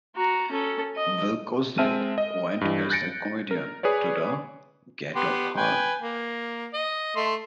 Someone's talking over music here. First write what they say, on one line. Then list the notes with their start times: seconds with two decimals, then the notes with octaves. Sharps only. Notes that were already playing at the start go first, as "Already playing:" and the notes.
Bill Cosby went as a comedian to the "Gate of Horn".
0.16 F#4 A#5
0.51 C#4 A4
0.96 D#5
1.78 G#3 C4 E5 A5 F6 D#7
2.18 D#5
2.61 G2 E3
2.90 F#6 G6 A6 A#6 C#7 D7
3.51 A#4
3.83 G#4 B4 C#5 D5
5.15 B3 G4 C6
5.57 B4 G5 G#5
6.02 A#3
6.74 D#5
7.16 A3 C6